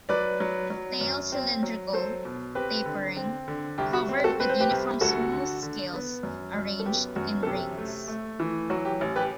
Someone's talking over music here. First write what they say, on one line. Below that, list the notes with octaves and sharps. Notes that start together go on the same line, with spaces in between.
Tail cylindrical, tapering, covered with uniform smooth scales arranged in rings.
F#3 B4 D5
F#3
F#3
F#2
C4
F#3
F#3 A4 C5
B2
C4 G4 B4
D3
C4
D3
C2 G4
F#4
C4
F#4 A4
C4 B4
C5
G4 B4
C2
D2 F#4 A4
D3
D3
B3
F#2
F#2
A4
B3 G4
F#2 F#4
A4
C3 G4
A3
A3
E3
F#3 F#4
G4
A1
G4 B4